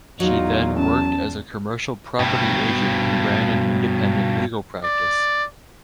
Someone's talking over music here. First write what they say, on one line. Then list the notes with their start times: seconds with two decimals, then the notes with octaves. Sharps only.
She then worked as a commercial property agent and ran an independent legal practice.
0.20 E2 F#3 D#4 F4
0.78 C#4 A5
2.19 G2 B2
4.84 D5